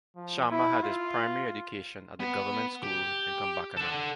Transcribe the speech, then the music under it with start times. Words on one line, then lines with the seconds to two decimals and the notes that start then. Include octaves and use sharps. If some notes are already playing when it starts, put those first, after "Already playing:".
Sharma had his primary education at the Government School in Kumbakonam.
0.16 F3
0.51 E4
0.82 F4
2.20 B3
2.83 G4
3.77 A4 F#5